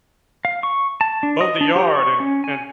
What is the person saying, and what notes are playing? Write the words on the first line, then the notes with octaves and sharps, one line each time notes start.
Mow the yard and and,
F5
C#6
A5
D4
D#5
D4
G4
C#6
C#4
G#5